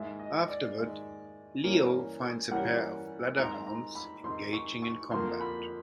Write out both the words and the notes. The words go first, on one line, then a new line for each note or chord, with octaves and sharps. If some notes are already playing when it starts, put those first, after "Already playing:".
Afterward, Leo finds a pair of Bladderhorns engaging in combat.
Already playing: G#2 D#3 G#3 E5
D#5
D5
G#2 D#3 G#3
G2 E3 G3 A#3 C#4
G2 E3 G3 A#3 C#4 F#5
G#2 D#3 G#3 C4 A#5
A#5
B5
G#2 D#3 G#3 C4 C6
C#6
C#6
F2 D3 F3 A#3 C6
B5